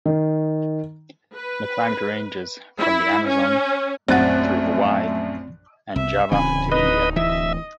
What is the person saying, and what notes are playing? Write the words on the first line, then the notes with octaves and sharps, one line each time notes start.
The climate ranges from the Amazon through Hawaii and Java to India.
D#3
B4
E4
C#4
A#1 F#2 A3 C4 C5 F#5 F#6 A6
C2 E5
D1 C#3 E3 C4 G#5 B5
D#4 B4 D#5
E3 D#5 E5